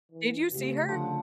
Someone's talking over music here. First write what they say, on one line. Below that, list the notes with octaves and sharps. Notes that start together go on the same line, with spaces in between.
Did you see her?
E3
C#3 A3 G4
D3 F3 F#5